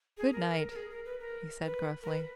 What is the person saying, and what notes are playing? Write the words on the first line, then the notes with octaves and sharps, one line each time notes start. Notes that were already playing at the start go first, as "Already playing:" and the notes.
"Good-night!" he said gruffly.
G#4
A#4
A#4
G#4
A#4
B4
A#4
B4
A#4
B4